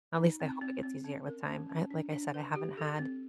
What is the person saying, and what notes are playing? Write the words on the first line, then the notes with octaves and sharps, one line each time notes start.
At least I hope it gets easier with time. I like I said, I haven't had
D#4
C4
C4
C4
C#4
A#4
C#4
C#4
D4
D4
B4
G4
A4
C4